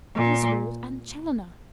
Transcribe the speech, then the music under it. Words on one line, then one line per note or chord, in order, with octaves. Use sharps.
Oswald and Challoner!
A#2